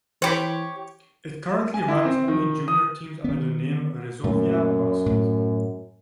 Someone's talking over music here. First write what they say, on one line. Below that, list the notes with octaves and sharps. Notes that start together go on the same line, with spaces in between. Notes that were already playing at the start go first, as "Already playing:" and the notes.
It currently runs only junior teams under the name Resovia Basket.
E3 G4 C5 C#5 G5 B5
G#5
E4
C4
D#3
D#6
D#3 B3
F#2 A#2 A3
A2